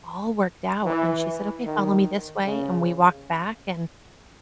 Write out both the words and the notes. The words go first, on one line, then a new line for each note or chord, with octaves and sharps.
all worked out, and she said, "Okay, follow me this way," and we walked back, and
E3
D#3
C#3